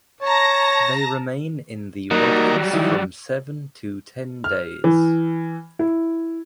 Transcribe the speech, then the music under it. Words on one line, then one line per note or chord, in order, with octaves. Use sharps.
They remain in the rockers from seven to ten days.
C#5 A5 A#5 A#6
F#3 G3 A#3 D#4 A#4
D#3 E3
F6
E3
E4